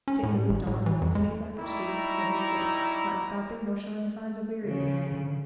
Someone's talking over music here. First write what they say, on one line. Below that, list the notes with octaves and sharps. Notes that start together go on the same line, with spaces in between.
Tit moved on with sweep after sweep of his scythe, not stopping nor showing signs of weariness.
C#4
A2
A1
A2
E3
F2
G#3
G3 D#4 E4 A#5 C#6
C#3 F3
D3